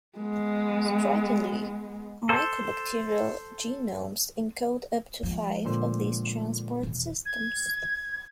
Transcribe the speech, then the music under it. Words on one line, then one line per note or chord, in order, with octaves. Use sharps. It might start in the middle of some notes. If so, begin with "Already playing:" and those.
Strikingly, mycobacterial genomes encode up to five of these transport systems.
G#3 B3
A4 C5
F3 G#3
A#2 D3 C5
E1 E3
G#6